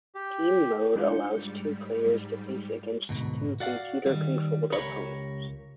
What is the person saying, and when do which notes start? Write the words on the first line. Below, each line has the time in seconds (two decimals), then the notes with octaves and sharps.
Team mode allows two players to face against two computer-controlled opponents.
0.15 G4
0.96 G#3 D4 F4 G6 C#7
1.31 G#2 G3
3.09 D2 G#2 B2
3.60 F#4 D5 F5 F#5
4.06 D#3 G3
4.72 C#2 G4 A#4 C#5 B5